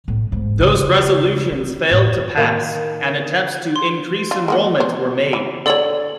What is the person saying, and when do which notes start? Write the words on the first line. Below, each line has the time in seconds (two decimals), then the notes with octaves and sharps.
Those resolutions failed to pass, and attempts to increase enrollment were made.
0.08 A2
0.32 G#2
0.60 D#2 C#3
1.51 A3
1.91 A2
2.37 D#3 A#3 D#4
3.76 C6
4.31 F4
4.48 G#3 A#3 F#4
4.80 C5
5.33 E3
5.66 D3 A4 C#5 D5 F#7